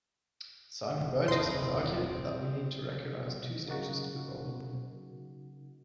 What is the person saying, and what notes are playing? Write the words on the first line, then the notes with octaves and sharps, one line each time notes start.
Simon Burgess has argued that we need to recognize two stages to the problem.
D#1 F#2 C4 E4 A4 D#5 C6
C#3 F#3 A#3 D#4 F#4